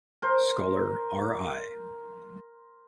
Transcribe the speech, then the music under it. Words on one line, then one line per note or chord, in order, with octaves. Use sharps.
Scholar R. I.
A#4 C5